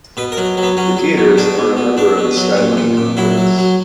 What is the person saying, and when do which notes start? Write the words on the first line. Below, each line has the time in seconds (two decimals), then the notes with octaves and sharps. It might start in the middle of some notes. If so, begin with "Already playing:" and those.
The Gators are a member of the Skyline Conference.
0.17 B2 B4
0.32 A#4
0.37 F#3
0.57 F#3
0.63 B3
0.77 F#3 C#4
0.97 F#3
1.18 B2
1.37 B2 D4
1.58 B2
1.77 B2
1.97 B2 D4
2.17 B2
2.37 F#3
2.57 A#2
2.77 A#2
2.97 A#2
3.17 F#3 E4
3.38 F#3
3.58 F#3